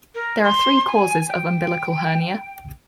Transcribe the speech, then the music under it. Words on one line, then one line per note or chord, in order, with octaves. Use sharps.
There are three causes of umbilical hernia.
A#4
C6
G#5
G5